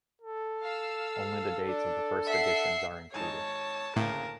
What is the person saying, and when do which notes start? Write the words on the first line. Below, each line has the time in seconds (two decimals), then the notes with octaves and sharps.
Only the dates of the first editions are included.
0.21 A4
0.61 F5 E6
1.65 D4
2.26 E5 F#5 C7
3.14 G#1 D#4 C#5 G#5 A5
3.96 D2 A2 C#3 A#3 A#4